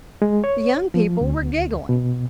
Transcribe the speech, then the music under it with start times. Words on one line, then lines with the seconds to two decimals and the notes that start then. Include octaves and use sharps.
The young people were giggling.
0.22 G#3
0.44 C#5
0.94 F3
1.21 D2
1.89 B2